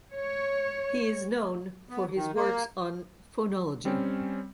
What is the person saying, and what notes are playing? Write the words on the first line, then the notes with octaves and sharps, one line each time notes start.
He is known for his works on phonology.
C#5
B3
D#3
A#3
G3 C4 C#4